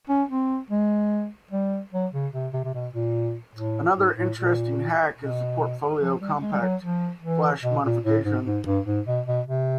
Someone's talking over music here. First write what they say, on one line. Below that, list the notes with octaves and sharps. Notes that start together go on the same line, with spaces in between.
Another interesting hack is the Portfolio Compact Flash modification.
C#4
C4
G#3
G3
F#3
C#3
C3
C3
C3
B2
A#2
A2
G#2
A2
A#2
B2
F3
G3
G#3
G3
F#3
F3
E3
B2
A#2
A2
G#2
G#2
G2
G#2
B2
B2
C3